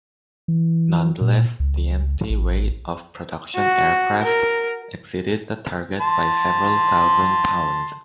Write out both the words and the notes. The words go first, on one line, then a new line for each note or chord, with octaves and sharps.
Nonetheless, the empty weight of production aircraft exceeded the target by several thousand pounds.
E3
A#2
C#2
A1
F#4
A#4
A5 C6